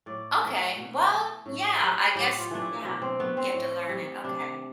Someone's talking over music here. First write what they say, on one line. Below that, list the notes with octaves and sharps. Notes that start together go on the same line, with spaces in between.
Okay, well, yeah, I guess yeah, you have to learn it. Okay.
A2 D5
E3 A3
B2
A3
A2
G3
A2 G4
F4
E3 A3 D4
E4
B2 D4
C4
A3 B3
C4
A2
G3
C3 D4